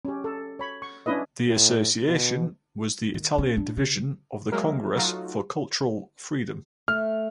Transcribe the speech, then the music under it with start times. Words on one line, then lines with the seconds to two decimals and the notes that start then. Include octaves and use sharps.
The Association was the Italian division of the Congress for Cultural Freedom.
0.05 C#4 G4
0.24 A4
0.59 C#5 B5
0.82 C#6
1.06 C#4 D4 E4 B4 D#5
1.48 A2
2.06 B2
3.14 D#3
3.38 C#4
3.57 D4
3.77 C#3
4.52 F#3 G#3 A#3 A#4 E5
4.95 F#3 A3 D#4 F4 F#4
6.88 A3 F6